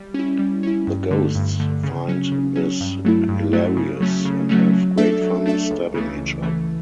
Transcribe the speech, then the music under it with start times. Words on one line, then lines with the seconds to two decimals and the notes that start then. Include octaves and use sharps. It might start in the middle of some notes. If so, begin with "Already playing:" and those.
The Ghosts find this hilarious, and have great fun stabbing each other.
Already playing: G3
0.14 C#4 E4
0.39 G3
0.63 C#4 E4
0.87 G2
1.11 D3 A3
1.35 G2
1.60 D3 A3
1.84 C#3
2.08 F#3 C#4
2.32 C#3
2.56 F#3 C#4
2.80 G2
3.05 F#3 A3 E4
3.29 G2
3.53 F#3 A3 E4
3.76 C#3
4.00 F#3 A3 C#4
4.25 C#3
4.49 F#3 A3 C#4
4.73 F#3
4.98 A3 D4 A4 E5
5.22 F#3
5.46 A3 D4 A4 E5
5.70 C#2
5.94 C#3 E3 A3
6.19 C#2
6.42 C#3 E3 A3